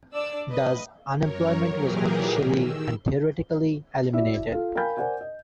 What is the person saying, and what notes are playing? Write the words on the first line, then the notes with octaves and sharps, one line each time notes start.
Thus unemployment was officially and theoretically eliminated.
D4 D5 E6
B4 D#5
F#2 A#4 C#5
A#2 E3 F#3 G4 G#4 A#4
D#3 E6
E4 F#4 D5 E5
F4 A4 F5
A#4 F5 G5 G#5 B5 G6
A#4 C5 D5 F#5 G#5
D#5